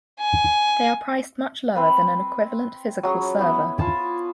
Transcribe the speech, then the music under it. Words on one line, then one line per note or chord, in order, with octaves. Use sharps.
They are priced much lower than an equivalent physical server.
G#5
C4 B4 B5
F#3 C#4 G#4
B3 E4
F4 G#5 A5 B5